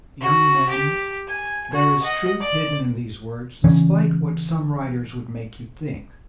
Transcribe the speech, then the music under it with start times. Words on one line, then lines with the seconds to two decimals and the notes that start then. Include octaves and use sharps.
Young men, there is truth hidden in these words, despite what some writers would make you think.
0.21 F#4
0.69 G4
1.27 G#5
1.73 F#4
2.02 D#5 F#5
2.40 D5
3.64 C#3 E3 C#4